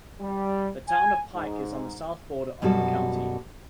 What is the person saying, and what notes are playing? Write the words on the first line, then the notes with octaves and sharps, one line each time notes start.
The Town of Pike is on the south border of the county.
G3
G#5
G#2
F#2 B2 G3 F#4 A4